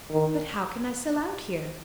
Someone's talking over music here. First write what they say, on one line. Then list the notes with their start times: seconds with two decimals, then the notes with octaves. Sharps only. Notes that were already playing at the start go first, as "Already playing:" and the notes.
"But how can I sell out here?"
0.11 D#3